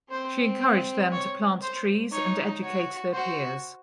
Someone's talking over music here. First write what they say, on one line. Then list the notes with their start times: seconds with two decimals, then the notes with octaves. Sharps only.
She encouraged them to plant trees and educate their peers.
0.11 C4 C5
1.12 C#5
1.62 C5
2.12 D#4 C#5
2.62 F#4 C#5
3.13 F#4 C5